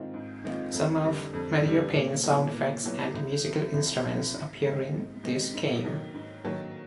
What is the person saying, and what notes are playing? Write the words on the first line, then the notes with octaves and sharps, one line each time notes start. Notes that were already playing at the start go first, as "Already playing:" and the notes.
Some of "Mario Paint"s sound effects and musical instruments appear in this game.
Already playing: G#2 D#3 G#3 C4 F4
G#2
D#3 G#3 C4 F4
F2
D3 G3
F2
D3 G3
A#2
F#3 B3 E4
A#2
F#3 B3 E4
C2
C3 F3
C2
C3 F3
G#2
D#3 G#3 C4
G#2
D#3 G#3 C4
G#2
D#3 F#3 A#3
G#2
D#3 F#3 A#3